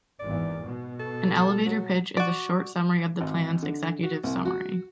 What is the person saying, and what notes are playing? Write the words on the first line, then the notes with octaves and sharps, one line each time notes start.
An "elevator pitch" is a short summary of the plan's executive summary.
G#1 E2 D5
B2
A4
F#3
F#4 D5
G#1
D3
F#4
C2
F#4